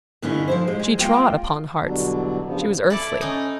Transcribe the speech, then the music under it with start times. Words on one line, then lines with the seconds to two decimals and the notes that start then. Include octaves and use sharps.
She trod upon hearts. She was earthly.
0.22 G2 D3 E3 C#4 D#4 E4
0.48 F3 E4 C5
0.68 G#3
0.80 G#3
0.98 G#3 A#3 F4 F5 G5
1.84 E2 B2 D3 F#3 G3 D4
2.45 G2 C#3 F3 B3
2.90 E4 A4 D5
3.21 C#4 D#4